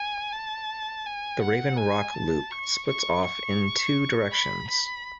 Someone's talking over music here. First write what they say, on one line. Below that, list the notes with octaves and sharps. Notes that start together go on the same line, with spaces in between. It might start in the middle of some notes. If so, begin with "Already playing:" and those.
The Raven Rock Loop splits off in two directions.
Already playing: G#5
A5
G#5
F#5
G#5
A5
C#6
C#6
C#6
B5
B5